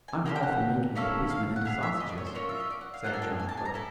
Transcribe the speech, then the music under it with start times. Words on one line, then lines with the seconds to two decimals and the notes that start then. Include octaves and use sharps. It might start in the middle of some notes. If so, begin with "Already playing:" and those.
"I'm all for making a policeman into sausages," said John Crook.
0.08 G#5
0.25 A#3 D#4 G4 G5
0.36 G5
0.43 F#5
0.95 A#3 C#4 E4 A4 F5
1.30 F5
1.56 F#5
1.65 B3 E4 G#4 F5
1.83 E5
2.00 D#5
2.09 D5
2.18 C#5
2.26 C5
2.35 A#3 C#4 F4 C#5
2.49 E5
2.60 D#5
2.70 D5
2.81 F#5
2.94 F5
3.04 A#3 D4 F4 A4 F#5
3.13 G#5
3.22 G5
3.39 G#5
3.49 A5
3.57 G#5
3.65 A#5
3.74 E4 A4 A5